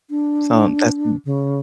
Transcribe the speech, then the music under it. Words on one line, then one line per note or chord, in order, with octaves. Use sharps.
so that's m
D4
C#3